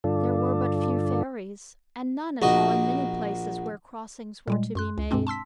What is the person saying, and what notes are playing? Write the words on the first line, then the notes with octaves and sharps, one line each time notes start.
There were but few ferries, and none at all in many places where crossings were to be made.
G2 D3 F4 A4 D5
A#1 F#4 D#5
A#2 G3 G#3
F#2 C6 F#6
C#2
G2 B2 G#3 C4 D4
A5 C6 E6 B6